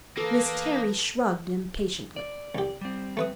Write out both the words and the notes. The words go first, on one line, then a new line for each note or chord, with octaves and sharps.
Miss Terry shrugged impatiently.
E3 A#3 A4 B4 D#6 A#6
D5
C2 G4
G3 C4
A3 B4 D#6